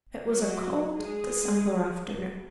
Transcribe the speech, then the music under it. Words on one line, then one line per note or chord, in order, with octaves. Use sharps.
It was a cold December afternoon.
F#3 F#4
G#3 G#4